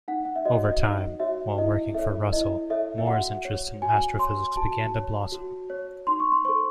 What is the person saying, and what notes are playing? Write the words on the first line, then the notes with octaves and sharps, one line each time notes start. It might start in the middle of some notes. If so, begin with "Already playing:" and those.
Over time, while working for Russell, Moore's interest in astrophysics began to blossom.
D#4 F#5
F#5
E5
F#4 C#5 D#5
D#5
D#4 D#5
F#4 C#5 E5
E4 D#5
A4 C#5 E5
E4 D#5
A4 C#5 E5
E5
F#4 F#5
C#5
F#4 G#5
C#5 C6
F#4 A5
C#5
F#4
C#5
D#4 C6
C#6
C6
A4 C5 C#6